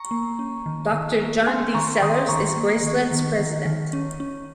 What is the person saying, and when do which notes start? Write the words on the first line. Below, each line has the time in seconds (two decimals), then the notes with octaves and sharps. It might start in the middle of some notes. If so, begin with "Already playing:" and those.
Doctor John D. Sellars is Graceland's president.
Already playing: A#5 C#6
0.11 A#3
0.39 C#4
0.66 D#3
0.93 D#3
1.21 A#3
1.47 C#4 G#5 C6
1.74 D#3 A#5 C#6
2.01 D#3 C6 D#6
2.29 D#3 A#5 C#6
2.56 A#3
2.83 D#3
3.11 D#3
3.39 D#3
3.65 D#3
3.93 C#4
4.20 C#4